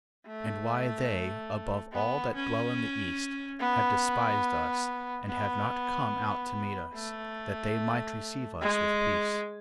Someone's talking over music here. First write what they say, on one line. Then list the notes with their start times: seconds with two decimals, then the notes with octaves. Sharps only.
And why they above all that dwell in the east, have despised us, and have not come out to meet us, that they might receive us with peace?
0.27 A3
1.93 B3
2.34 C#4
3.60 B3
5.27 B3
6.94 A3
8.61 G#3